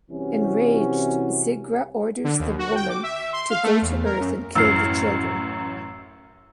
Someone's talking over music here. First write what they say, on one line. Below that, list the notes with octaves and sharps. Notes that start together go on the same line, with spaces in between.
Enraged, Zigra orders the woman to go to Earth and kill the children.
C2 C3 E3 C#4 F#4
D3
D#2
F#4
G5
D6
E5
C6
F5
A3
E2
A#4
F#2
A1 F#2 E6 F6 C7